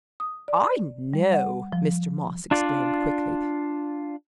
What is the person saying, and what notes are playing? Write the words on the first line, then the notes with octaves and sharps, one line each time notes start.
"I know!" Mr. Moss exclaimed quickly.
D#6
D5
G3
F#5
F3
D4 F4 D5